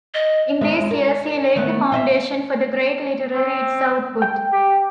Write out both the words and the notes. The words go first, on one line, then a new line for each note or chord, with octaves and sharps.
In these years he laid the foundation for the great literary its output.
D#5
D#2 G#3 E5
A#4
D#3 A3 B3
F4 D#5 E5
C4
G5
G4